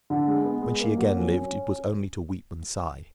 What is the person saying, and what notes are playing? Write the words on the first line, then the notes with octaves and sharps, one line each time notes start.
When she again lived, it was only to weep and sigh.
D3
G#3
B3
G#3
A#3
F#3
C#4
C#4